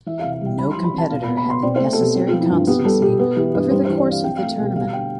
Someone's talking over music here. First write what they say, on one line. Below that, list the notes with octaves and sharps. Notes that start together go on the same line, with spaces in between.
No competitor had the necessary constancy over the course of the tournament.
E3 E5
F5
C3
F5
G3
G5
G3 B5
E3 C6
B5
C4 A5
B2 F5
B5
B3
B5
B3 C6
C4 D5
C5
A3
A4
B2 G4
C4
F4
F3
E4
G2 F4
B3 G4
G3 A4
B2 G4
B3 B4
E3 G4
G2 B4
G3 C5
C5
E3
D5
C4 F5
C4 G5
F5
A3
A4
B2 G4
G3 F5
D3 G5